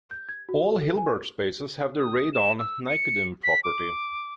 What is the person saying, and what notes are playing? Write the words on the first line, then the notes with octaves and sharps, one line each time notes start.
All Hilbert spaces have the Radon-Nikodym property.
G6
G#6
F#4
A4
G#5
D#6
E7
E6
C#7
B6
D6